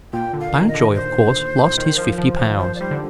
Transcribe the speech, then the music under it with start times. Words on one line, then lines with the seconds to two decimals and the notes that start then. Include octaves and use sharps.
Mountjoy of course lost his fifty pounds.
0.13 A#2 G5
0.33 D3
0.40 F5
0.55 D#3
0.68 D#5
0.74 D3
0.95 C5
1.78 D#3
1.98 F3
2.18 F3
2.39 F3
2.59 F3 C5
2.75 D5
2.80 G3 C5
2.91 D3